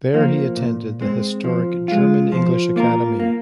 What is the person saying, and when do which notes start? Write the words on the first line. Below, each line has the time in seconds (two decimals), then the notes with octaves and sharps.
There he attended the historic German-English Academy.
0.14 F3 A#3
0.57 A#2
1.01 G#3 C4
1.44 F3
1.88 G#3 F4
2.32 F3
2.76 A#3 F4 A#4
3.20 A#3